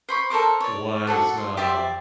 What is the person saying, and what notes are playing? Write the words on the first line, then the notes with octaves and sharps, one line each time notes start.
was, uh,
C5 B5 C#6
A4 A#4 C5 D6
C#5 D5
F#4 G#4 A4 D5
C6
G4 C5 D5 E5